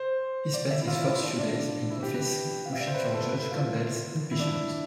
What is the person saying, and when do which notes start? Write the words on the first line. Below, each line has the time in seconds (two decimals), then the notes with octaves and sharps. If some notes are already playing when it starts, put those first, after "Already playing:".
He spent his first few days in office pushing for Judge Campbell's impeachment.
Already playing: C5
0.54 D5
0.70 E5
0.82 E4
0.87 F4
1.04 E4
1.22 D4
1.39 D4
1.90 E4
2.03 G4
2.14 B4
2.65 F5
2.72 E5
2.80 D5
2.87 C5
2.94 B4
3.12 A4
3.28 B4
3.39 E4
3.51 F4
4.31 E4
4.39 D4
4.47 E4